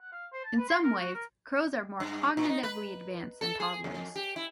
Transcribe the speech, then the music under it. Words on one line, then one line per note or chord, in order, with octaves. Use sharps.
In some ways, crows are more cognitively advanced than toddlers.
F#5
F5
C5
A5
B4
C6
A#4
F#4
A#4
G2
A#2
D#4
B4
A4
G#4
F2
G4
E4